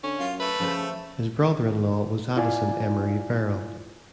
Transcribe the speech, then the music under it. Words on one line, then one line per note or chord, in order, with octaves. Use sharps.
His brother in law was Addison Emery Verrill.
D3 C#4
F#2 F4
A3 B4
C#3 F3 C5 A5
E4 F4 D5 G#5